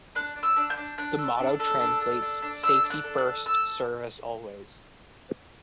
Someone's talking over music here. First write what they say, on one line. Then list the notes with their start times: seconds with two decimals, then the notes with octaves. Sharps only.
The motto translates "Safety First, Service Always".
0.15 D4 F#6
0.36 D4
0.43 E6
0.56 D4
0.70 G6
0.77 D4
0.98 D4 F#6
1.19 A4
1.39 D4
1.60 A4
1.80 D4
2.01 A4
2.22 D4
2.42 D4
2.63 A4 E6
2.84 D4
2.90 F#6
3.04 A4
3.18 F#6
3.25 A4
3.46 A4 E6